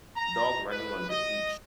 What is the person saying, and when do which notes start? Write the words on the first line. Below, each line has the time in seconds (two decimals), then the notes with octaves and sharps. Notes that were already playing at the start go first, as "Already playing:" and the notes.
A dog running on the beach.
0.16 A#5
0.70 B4
1.09 D#5